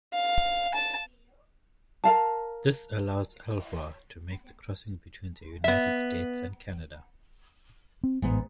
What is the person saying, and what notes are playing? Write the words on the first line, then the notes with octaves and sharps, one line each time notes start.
This allows "Elwha" to make the crossing between the United States and Canada.
F5
A5
A#4 F5 A5
B3 E5
C4
A1 G#2 B3